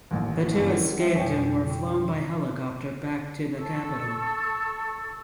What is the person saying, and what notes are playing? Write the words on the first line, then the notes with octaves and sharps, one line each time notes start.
The two escaped and were flown by helicopter back to the capital.
A1 D#2
G1 E2 G3 C#4 D4 E4
A#4 F#5
F#3 G3 E5
F2 B2 C#5 G5
A4 C#6 E6